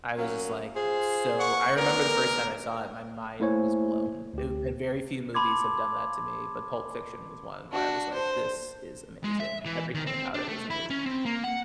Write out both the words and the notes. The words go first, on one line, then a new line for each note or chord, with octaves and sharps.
I was just, like, so I remember the first time I saw it, my mind was blown, uh, and very few movies have done that to me, but Pulp Fiction was one where I was like, "This is amazing." Everything about it was amazing.
F#3 A#3 C#4
F4 G#4 C5
F#5 C#6
D2 B3 A#4 D5
A3 A#3 E4 C5 C#5 G#5
D2 G4
A5 B5 C6 D6 G#6
D4 F#4
C5
G#3
E5
E3
D#3
C4
D4
A3
E4
C#4
C4
A#3
F#5